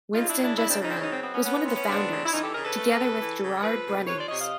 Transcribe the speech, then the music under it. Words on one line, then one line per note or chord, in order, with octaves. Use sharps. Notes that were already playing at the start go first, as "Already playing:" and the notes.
Winston Jessurun was one of the founders, together with Gerard Brunings.
C#3 D#4 F4
D4 E4
C#3
D4 E4
C#3 D4 E4
C4 D4
C#3 D#4
C4 D4
F#3 C#4 D#4
C4
B3 C4
B3 C#4
B3
B3 C4
C#4
C#3 C4 D4
C#3
E4
E3 C#4 D#4
G4 A4
C#3 G#4 A#4
A4 B4
A3
C#3
E3
C#3
F3 A4 B4
C3
F3 B4 C#5
C5 D5
C3 C#5 D#5
D#5 F5